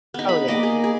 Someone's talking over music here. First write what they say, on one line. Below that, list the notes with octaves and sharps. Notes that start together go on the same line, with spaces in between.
Oh, yeah.
B3 D#4
G#4 B5
A#3 D5 D#5
G#4
G#4